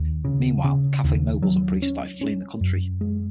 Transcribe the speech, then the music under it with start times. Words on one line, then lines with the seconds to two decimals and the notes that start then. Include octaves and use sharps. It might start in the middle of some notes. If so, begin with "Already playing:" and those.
Meanwhile, Catholic nobles and priests started fleeing the country.
Already playing: D#2
0.25 C#3
0.64 C#3
1.04 D#2
1.42 F#3
1.82 C#4
2.21 C#4
2.61 F#2
3.01 G#3